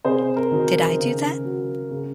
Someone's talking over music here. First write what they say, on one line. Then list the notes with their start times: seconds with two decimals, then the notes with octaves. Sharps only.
Did I do that?
0.04 C3 G#4 C5
0.36 A#4
0.51 D#3 F#3
0.67 A#4
0.98 C#3
1.45 F#3
1.91 C#3